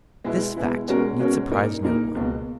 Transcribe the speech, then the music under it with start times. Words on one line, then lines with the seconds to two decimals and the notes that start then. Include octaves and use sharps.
This fact need surprise no one.
0.24 B2 G#3 B3 E4
0.56 B2 G#3 B3 E4
0.88 B2 G#3 C#4 F#4 A#4
1.19 B2 G#3 C#4 F#4 A#4
1.51 A#2 A#3 D#4 A#4
1.83 A#2 A#3 D#4 A#4
2.15 C#2 B2 A#3